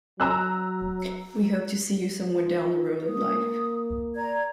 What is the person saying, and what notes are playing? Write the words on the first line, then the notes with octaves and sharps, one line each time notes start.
We hope to see you somewhere down the road of life.
F#3 A#5 E6 F#6
F4
A#3 D#6
D5 A#5 G#6